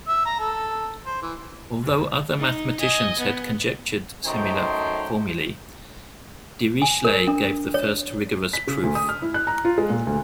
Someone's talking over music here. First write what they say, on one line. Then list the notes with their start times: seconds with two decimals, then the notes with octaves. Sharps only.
Although other mathematicians had conjectured similar formulae, Dirichlet gave the first rigorous proof.
0.07 E5
0.25 A#5
0.39 A4
1.05 C5
1.22 E3
2.39 D#4
2.80 D#5 G#5
3.19 B3
4.25 F#2 A3 D#4 C5 G5 C6
6.82 G#5
7.05 A#4
7.27 D4
7.74 C#5
8.53 B6
8.67 C#3
8.83 D2
8.95 D#6
9.09 F6
9.22 E4
9.34 F#6
9.47 A#5
9.65 F4
9.78 G#3
9.90 A#2
10.07 D2